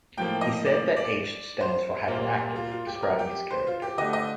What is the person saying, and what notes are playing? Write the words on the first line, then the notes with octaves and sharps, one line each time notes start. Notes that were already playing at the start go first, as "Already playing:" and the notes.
He has said that "H" stands for "hyperactive", describing his character.
A2 F3 A#3 G5
D#5
D5
D5
C5
A#2 G3 A#3
F4
F4
G4
A#4
G4
C5
F4
G4
D3 A3 D#5
D#5